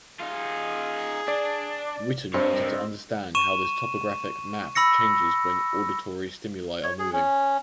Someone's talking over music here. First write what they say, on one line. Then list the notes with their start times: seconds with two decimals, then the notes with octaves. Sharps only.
Witten wanted to understand how this topographic map changes when auditory stimuli are moving.
0.20 D#4 F4 G#4
1.28 D4 D5
2.34 G2 C4 A#4 C#5 D#5
3.35 C#6 D#7 E7
4.75 B5 E6 A#6 C#7
6.83 C#5
6.99 G#4
7.13 C#4